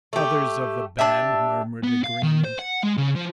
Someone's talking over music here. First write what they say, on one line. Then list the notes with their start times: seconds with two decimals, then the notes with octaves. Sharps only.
Others of the band murmured agreement.
0.13 A3 G4
0.99 D4 G4 E5
1.83 B3
2.04 F5
2.23 D#3
2.45 C5
2.59 F#5
2.83 G#3
2.97 C#3
3.15 F3